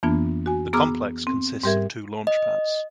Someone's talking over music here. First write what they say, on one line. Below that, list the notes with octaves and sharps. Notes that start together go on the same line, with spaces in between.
The complex consists of two launch pads.
F2 E3 A#3 B3 D4 F4
F#4 G#5
B3 G#4 A#5 D6 E6 F6
C4
G#2 G3 G4 A#4 E5 G#6
D#5